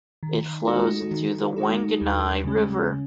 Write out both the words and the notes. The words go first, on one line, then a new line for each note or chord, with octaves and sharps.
It flows into the Wanganui River.
D#3
G#3 D#4 F#4 A4
D#3
G#3 D#4 F#4 A4
D#2
C#3 G#3 C#4